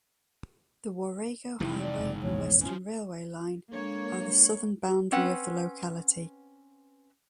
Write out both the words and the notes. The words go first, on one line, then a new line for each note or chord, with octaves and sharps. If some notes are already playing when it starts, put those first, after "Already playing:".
The Warrego Highway and Western railway line are the southern boundary of the locality.
F1 C3 E3 G#3 D#4 E4 G5
D5
F#1
A#1 E2 G#2 C#5
E3 C#4 F4
G#3 A#3 D4 A4 C#5
C4 C#4 B4 F#5